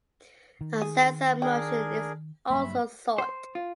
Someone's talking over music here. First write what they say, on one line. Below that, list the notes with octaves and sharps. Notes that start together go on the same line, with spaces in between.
A sense of motion is also sought.
D#3
G#4
D4 G#4 A#4 G5
G2 F#3 A#3 E5 B5
C5
F4